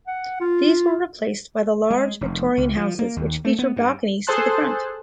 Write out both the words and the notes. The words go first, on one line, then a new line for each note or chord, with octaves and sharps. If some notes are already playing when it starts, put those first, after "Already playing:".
These were replaced by the large Victorian houses which feature balconies to the front.
F#5
F4
G#3
F1
C#2
F3
A#3
D#2
A3
B3
G2
G#4 A4 C5 A5 C6 F#6